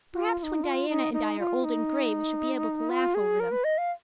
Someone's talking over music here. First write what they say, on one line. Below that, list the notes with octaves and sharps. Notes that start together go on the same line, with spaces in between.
Perhaps when Diana and I are old and gray we shall be able to laugh over them.
F4
F4
D#4
F4
D#4
D#4
F4
D#4
F4
G#4
A#4
B4
D#5
F5